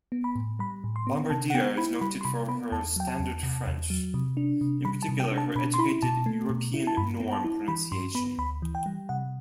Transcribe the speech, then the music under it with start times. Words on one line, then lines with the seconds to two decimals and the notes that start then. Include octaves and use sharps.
Bombardier is noted for her standard French, in particular her educated, European-norm pronunciation.
0.12 B3
0.24 B5
0.35 A2
0.59 G3 B5
0.84 A2
0.96 C6
1.07 B3
1.30 C3 A5
1.50 F#5
1.54 B3 G5
1.78 E4 B5
2.01 G3 B5
2.21 C6
2.25 C3 B5
2.48 B3 B5
2.72 E2 A5
2.96 F#3 G5
3.08 A5
3.19 E2
3.43 C3
3.67 E2
3.90 F#3
4.14 C3
4.37 D4
4.61 C3
4.85 G3 B5
5.03 A5
5.09 C3
5.20 G5
5.32 D4
5.38 A5
5.56 B2 B5
5.74 C6
5.79 E4 B5
6.02 B2 A5
6.26 A3
6.50 B2
6.74 E4
6.87 A5
6.97 G2 B5
7.20 B3
7.32 A5
7.44 E4
7.68 E3 B5
7.92 G2 C6
8.15 B3 B5
8.38 D2 B5
8.62 E3
8.75 G5
8.86 G3
9.09 C3 F#5